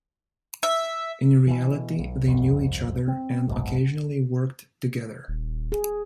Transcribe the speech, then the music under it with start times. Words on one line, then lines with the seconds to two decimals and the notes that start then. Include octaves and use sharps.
In reality they knew each other and occasionally worked together.
0.63 E5
1.47 B2 E3
1.99 B1
2.27 G1 C2 F2
3.08 C4
3.48 F#1 B1 G#2 B2
5.28 D#1
5.72 G#4